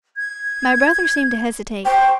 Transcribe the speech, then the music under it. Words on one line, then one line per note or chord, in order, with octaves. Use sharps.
My brother seemed to hesitate.
G#6
C5 G5 C6 C#6